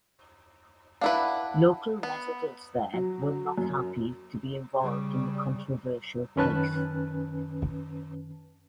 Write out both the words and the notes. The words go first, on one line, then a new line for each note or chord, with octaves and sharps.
Local residents there were not happy to be involved in the controversial case.
D4 E4 B4 F5 F#5
B3
F#3
F#2
C#3 G3
F#2 D#3 C#4 B4 A5 F#6